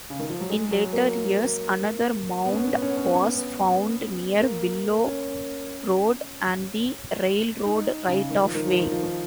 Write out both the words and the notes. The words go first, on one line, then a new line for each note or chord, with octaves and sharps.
In later years another mound was found near Willow Road and the railroad right-of-way.
C#3
D#3
F3
F#3
G#3
F#3
A#3
B3
C#4
B3
C#4
B3
C#4
B3
C#4
B3
C#4
B3
C#4
B3
B3
A#3
C#4
D#4
C#3
D#3
F3
D#3
F3
D#3
F3
D#3